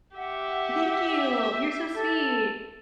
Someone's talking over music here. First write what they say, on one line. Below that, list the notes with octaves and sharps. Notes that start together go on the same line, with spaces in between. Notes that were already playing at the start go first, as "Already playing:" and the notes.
Thank you. You're so sweet.
G4 E5 F#5
A4